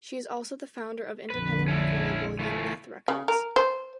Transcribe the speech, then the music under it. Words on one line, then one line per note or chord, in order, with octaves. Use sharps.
She is also the founder of the independent record label Yidneth Records.
A#1 F2 D3 B4
C#4 E4 A4
E3 A3 F4
C#3
A#4
C5